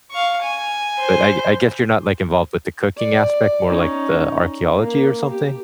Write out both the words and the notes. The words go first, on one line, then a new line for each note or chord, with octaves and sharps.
but I I guess you're not, like, involved with the cooking aspect, more like the archeology or something?
F5 C#6
G#5
C5
D5
C#4 D#4
A#3
G4